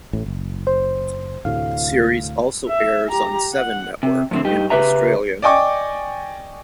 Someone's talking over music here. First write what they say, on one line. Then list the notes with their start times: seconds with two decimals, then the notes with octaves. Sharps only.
The series also airs on Seven Network in Australia.
0.13 A1 A2
0.26 F#1
0.67 C5
1.45 D2 A2 C3 F5
2.68 E5
3.10 G4 A#5
3.54 F#5
4.03 C3
4.31 F2 A2 D3 C4
4.44 G2 D#4 G4
4.70 C#3 G4 B4 E5 A#5
5.42 D5 D#5 G5 G#5 C#6 D6